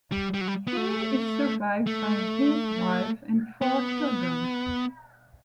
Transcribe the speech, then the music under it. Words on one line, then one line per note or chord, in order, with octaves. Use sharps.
He is survived by his wife and four children.
G3
G3
F#3
G3
B3
A3
A3
B3